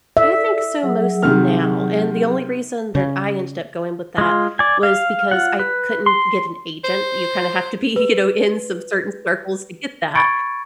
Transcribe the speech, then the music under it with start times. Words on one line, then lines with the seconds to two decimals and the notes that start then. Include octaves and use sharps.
I think so mostly now, and the only reason that I ended up going with that was because I couldn't get an agent. You, kinda have to be, you know, in some certain circles to get that.
0.17 A4 D5 E5
0.83 F#3 G#4 F#5
1.23 C3 D#3 F6
2.95 C#3
4.18 G#3 F4
4.59 D5 G#5
4.83 F5
5.31 F4 F#5
5.59 B4
6.06 C6
6.84 C5
7.96 B4
10.15 B5 C#6 G#6 A6 C#7 D7